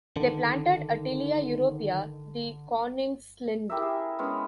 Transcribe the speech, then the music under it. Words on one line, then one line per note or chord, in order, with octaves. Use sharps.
They planted a Tilia europea, the "Koningslinde".
D3 D#3
E4 G4 A#4 E5
G#4
G#3 B3 C#4 D4